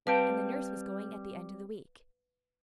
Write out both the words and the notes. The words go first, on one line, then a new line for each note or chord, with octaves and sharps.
And the nurse was going at the end of the week.
G3 C4 B4 F5 G5 A5